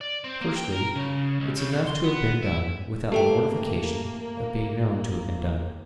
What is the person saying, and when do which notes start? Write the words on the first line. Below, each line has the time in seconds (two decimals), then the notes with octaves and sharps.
Firstly, it's enough to have been done, without the mortification of being known to have been done.
0.01 D5
0.24 C4
0.41 A#3
0.56 G5
0.72 A#4
0.95 C#3
1.40 C#2
1.57 C#3
1.72 B2
1.87 C6
2.04 B3
2.43 E4
3.12 A3 A#3 G4 A4 G5